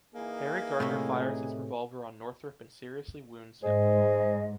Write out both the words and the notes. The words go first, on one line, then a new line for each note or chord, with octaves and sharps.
Harry Gardner fires his revolver on Northrop and seriously wounds him.
E3 A#3 D#4 G#4
A2 C3 A3
G#2 G#4 C5 D#5